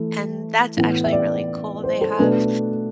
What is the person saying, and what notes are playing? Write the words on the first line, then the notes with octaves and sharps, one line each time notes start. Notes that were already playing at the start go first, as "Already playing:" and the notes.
and that's actually really cool, they have
Already playing: E3 A3
A2 E3 B3 E4
E5
D5
C5
A4
B2 A3 D4 B4